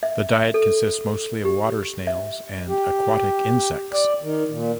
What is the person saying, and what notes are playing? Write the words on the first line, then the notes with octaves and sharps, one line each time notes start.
The diet consists mostly of water snails and aquatic insects.
E5
A4
G4
E5
G4
D5
D#3
A#2